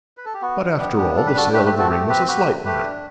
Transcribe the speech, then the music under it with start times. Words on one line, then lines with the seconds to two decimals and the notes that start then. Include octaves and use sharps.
But, after all, the sale of the ring was a slight matter.
0.17 B4
0.25 A4
0.34 G4
0.42 B3 F#4
0.60 D4
0.79 B3 G4
0.98 D4 G4
1.16 G3 A4
1.26 B4
1.35 D4 F#4 A4
1.53 A3 G4 B4
1.66 G4 B4
1.71 C4
1.78 F#4 A4
1.90 A3 G4
2.09 C4 G4 B4
2.28 F#4 G4 B4
2.47 A3
2.65 A3 G4 B4
2.83 D4